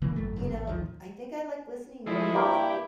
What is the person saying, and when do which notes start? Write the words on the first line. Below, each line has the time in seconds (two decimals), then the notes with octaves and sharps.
you know, I think I like listening more because
0.02 A#2 C#3 E3 A#3
0.16 G#1 F#2 A3
0.37 F1 F#2 A2 C#3
0.51 A1
0.67 A1 D#2 D#3 F3
2.06 F3 G#3 A3 E4
2.34 G2 A#3 G4